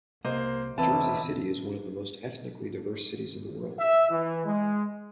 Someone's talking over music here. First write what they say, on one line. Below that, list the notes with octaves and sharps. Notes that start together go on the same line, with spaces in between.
Jersey City is one of the most ethnically diverse cities in the world.
C2 A#3 C5 D#5
B1 E2 C4 E4 B4 A5
E5
E3
G#3